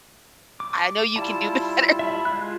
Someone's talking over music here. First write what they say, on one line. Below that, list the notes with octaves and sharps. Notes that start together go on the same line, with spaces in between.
I know you can do better."
D6
G3 E4 F4 A5
E5 A5 B5
G#3 F4 F#6